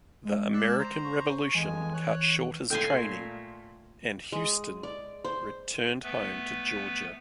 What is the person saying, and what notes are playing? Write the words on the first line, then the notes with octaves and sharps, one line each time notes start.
The American Revolution cut short his training, and Houstoun returned home to Georgia.
G#3
D5 E6 F#6
C5 A#5
C#6
F2 E3 G#3 G#5
C#5 F#6
A#2 A3 A4 G5 G#5 C6
G#3
D5
C5
A3 B3 B4